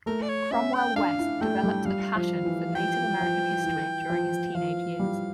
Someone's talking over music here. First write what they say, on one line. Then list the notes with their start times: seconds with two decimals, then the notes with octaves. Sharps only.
Cromwell West developed a passion for Native American history during his teenage years.
0.06 A3 A#4
0.22 D5
0.29 C#5
0.51 C#4 E5
0.74 G5
0.96 D4 F5
1.19 E4
1.41 A3 G5
1.63 G3
1.85 G3 F5
2.15 F3
2.45 E3
2.75 F3 G5
3.21 F3
3.64 E3
4.10 F3
4.55 F3 F5
5.00 G3